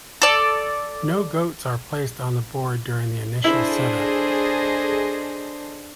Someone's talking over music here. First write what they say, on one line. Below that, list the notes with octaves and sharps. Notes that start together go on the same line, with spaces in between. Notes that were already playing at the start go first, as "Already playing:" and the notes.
No goats are placed on the board during the initial setup.
A4 D5
D4 E4 G#4 A4 C5 D#5